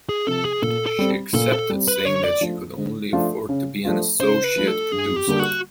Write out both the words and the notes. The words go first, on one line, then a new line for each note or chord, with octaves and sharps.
She accepted, saying that she could only "afford" to be an associate producer.
G#4
C3 F3 A4
G#4
A#2 A4
A4
G3 C4
A#2 A4
A4
G3 C4
B4
D3 C#5
D5
F3 A3 D4 F4
D3
F3 A3 D4 F4
C#3
F3 A3 D4 F4
C#3 C5
B4
F3 A3 D4 F4
A4
G2 G#4
G4
D3 G3 A#3 D4
F#4